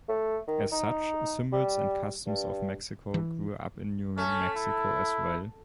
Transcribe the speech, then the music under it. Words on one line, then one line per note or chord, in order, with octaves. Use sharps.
As such, symbols and customs of Mexico grew up in New Mexico as well.
A3
D#3
D#4
G3
G2
E3
A3 C#4
E4